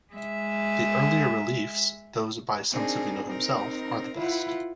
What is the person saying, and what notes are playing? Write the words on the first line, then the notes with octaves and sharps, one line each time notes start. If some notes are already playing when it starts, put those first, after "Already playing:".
The earlier reliefs, those by Sansovino himself, are the best.
G#3 E5
C4 D4 D#4 G#4 A#4
C4 D#4 A#4
E4 F4 B4 F#5